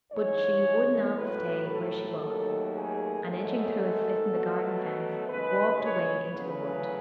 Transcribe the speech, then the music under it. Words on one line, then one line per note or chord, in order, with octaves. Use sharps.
But she would not stay where she was; and edging through a slit in the garden-fence, walked away into the wood.
G#2 E3 G#3 C#5
A2 F#3 A3 B4
A4
D#2 D#3 F#3 A3 A4
G#4
G#2 D#3 F#3 A3 A4
B2 F#3 A3
D#2 C#3 G#3 B4
C#5
E2 C#3 F#3 A3 B4